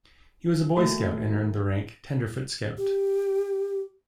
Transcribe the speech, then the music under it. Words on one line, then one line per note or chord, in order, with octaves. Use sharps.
He was a Boy Scout and earned the rank of Tenderfoot Scout.
D#2 A3 F#4
G4